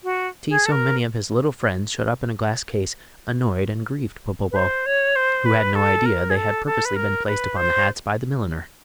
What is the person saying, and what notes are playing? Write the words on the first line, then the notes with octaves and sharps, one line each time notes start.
To see so many of his little friends shut up in a glass case annoyed and grieved Popopo, who had no idea they had purposely been placed upon the hats by the milliner.
F#4
G#4
A4
A#4
B4
C5
C#5
C5
B4
A4
A#4
G#4
A4
A4
B4
A#4
B4
C5